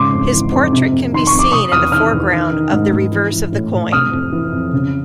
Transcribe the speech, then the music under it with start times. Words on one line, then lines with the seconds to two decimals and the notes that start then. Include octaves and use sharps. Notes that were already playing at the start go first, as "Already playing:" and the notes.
His portrait can be seen in the foreground of the reverse of the coin.
Already playing: G#2 C#3 C6 D6
0.13 F2
0.32 E3
0.52 F2
0.73 C3
0.92 F2
1.13 D#3 C6
1.27 F2 C#6
1.39 D6
1.52 C3 C#6 D#6
1.72 E2 D#6 F6
1.92 D#3 D#6 F6
2.13 E2
2.33 D#3
2.52 D#3
2.72 G#2
2.92 G#2
3.12 E3
3.32 E3
3.52 A2
3.73 A2
3.92 C3 D#6 F6
4.12 F2
4.32 E3
4.52 F2
4.73 C#3